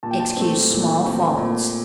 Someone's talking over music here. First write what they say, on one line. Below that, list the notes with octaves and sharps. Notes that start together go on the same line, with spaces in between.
Excuse small faults.
A#2 A5
G5
A5
A3 C4
A#2
A3 C4
A#2